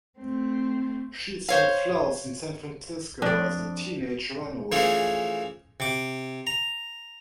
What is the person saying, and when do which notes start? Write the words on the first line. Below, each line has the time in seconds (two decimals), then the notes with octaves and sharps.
She sold flowers in San Francisco as a teenage runaway.
0.19 A3 C4
1.49 C5 C#5 F5
3.22 F2 D4 D5
4.72 E3 F3 A3 C#4 G#4
5.80 C3 D6
6.47 A#5